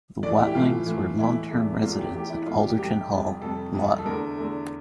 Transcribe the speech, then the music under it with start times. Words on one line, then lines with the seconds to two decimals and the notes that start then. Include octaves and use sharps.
The Watlings were long-term residents at Alderton Hall, Loughton.
0.22 A2 E3 A3 D5
0.39 E4
0.47 G4
0.55 A2 E3 A3 F4
0.86 A2 E3 A3
1.18 A2 E3 A3 E4
1.50 E2 E3 A3
1.82 E2 E3 A3 F4
1.99 G4
2.14 E2 E3 A3 G4
2.30 E4
2.46 E2 E3 A3 F4
2.63 G4
2.78 F2 C3 G3 G4
3.10 F2 C3 G3
3.41 F2 C3 G3 A4
3.73 F2 C3 G3
3.98 A4
4.05 E2 D3 A3 A#4
4.38 E2 D3 A3